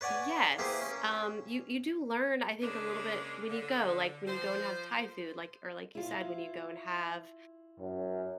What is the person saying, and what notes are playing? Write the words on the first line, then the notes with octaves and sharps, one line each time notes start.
Yes, um, you you do learn, I think, a little bit when you go like when you go and have Thai food, like or like you said, when you go and have
B4 C#5 D5 F#5 G#5
A#3 E4 G4 G#4 B4 C5
C#4
C#3 G#3 A#3 C#4 D4
D3
F3 C5
E4 F4
F#2